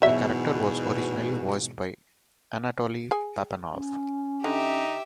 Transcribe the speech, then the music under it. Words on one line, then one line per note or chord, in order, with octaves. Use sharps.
The character was originally voiced by Anatoli Papanov.
E2 G#2 B2 F#3 E5
G#4 G#5
C#4
D3 D#4 G4 E5